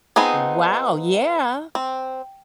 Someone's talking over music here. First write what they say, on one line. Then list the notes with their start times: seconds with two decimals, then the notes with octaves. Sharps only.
Wow, yeah!
0.16 F3 B3 C4 D#4 G#4
1.75 C4